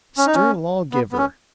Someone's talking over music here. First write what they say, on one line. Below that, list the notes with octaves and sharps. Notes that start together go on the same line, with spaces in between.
Stern lawgiver!
C#4
D#4
C#4
B3
B3
C#4